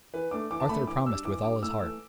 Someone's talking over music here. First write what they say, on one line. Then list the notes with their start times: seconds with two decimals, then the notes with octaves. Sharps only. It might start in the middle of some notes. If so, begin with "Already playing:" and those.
Arthur promised with all his heart.
0.14 E3 B4
0.31 A3 D4 D6
0.51 E3 D6
0.60 A5
0.69 A3 D4 B5
0.87 E3 D6
1.06 G3 D4 E6
1.24 E3 D6
1.43 G3 D4 D6
1.62 A2 E6
1.81 E3 A3 E6